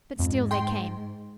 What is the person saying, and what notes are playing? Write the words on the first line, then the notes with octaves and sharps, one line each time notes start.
But still they came.
F2 G#2
G5 C6